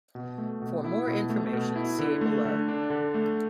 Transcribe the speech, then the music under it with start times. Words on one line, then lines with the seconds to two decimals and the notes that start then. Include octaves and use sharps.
For more information, see below.
0.15 B2
0.38 A3
0.62 B2
0.85 E4
1.07 B2
1.29 A3
1.53 B2
1.76 E4
1.99 D3
2.21 A3
2.45 D3
2.68 D4
2.90 D3
3.14 A3